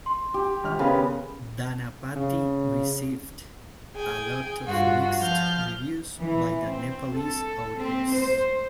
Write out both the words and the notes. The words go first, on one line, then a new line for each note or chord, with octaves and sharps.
Dhanapati received a lot of mixed reviews by the Nepalese audience.
C6
G4
G#1 F6
C#3 B3 A#4 B4 F5
C#3
G#4 G5 G#5
G2 F4 F#4
F3 F5 F6 G6
E3
C4
A4
C4
C5